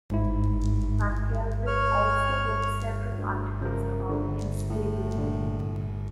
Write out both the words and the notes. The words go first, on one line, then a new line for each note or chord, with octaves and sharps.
McKelvey also wrote several articles about instability.
G#2 E4
C#5 F6
D2
C#3 F3 A#4
A#1 D3
A2
A#2 D3